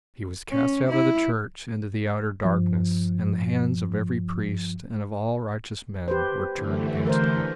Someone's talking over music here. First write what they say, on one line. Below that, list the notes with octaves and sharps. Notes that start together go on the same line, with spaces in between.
He was cast out of the Church into the outer darkness, and the hands of every priest and of all righteous men were turned against him.
C#4
E4
G2 F3
G4 B4 C5
D3 E3 A3
A#4 C5